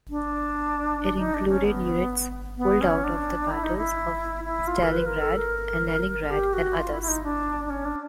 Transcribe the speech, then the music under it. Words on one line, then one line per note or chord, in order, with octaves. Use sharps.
It included units pulled out of the battles of Stalingrad and Leningrad and others.
D4
D#4
D4
C#4
B3
B3
C#4
D4
E4
D#4
E4
E4
F4
A#4
B4
A#4
A4
A#4
G4
F#4
F4
E4
E4
D#4
D4
D4
C#4
D4